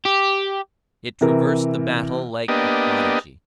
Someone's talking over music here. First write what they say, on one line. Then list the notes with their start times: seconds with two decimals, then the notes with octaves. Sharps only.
It traversed the battle like a prodigy.
0.05 G4
1.21 C3 E3 A#4
2.48 A#3 B3 D4 G4 D#5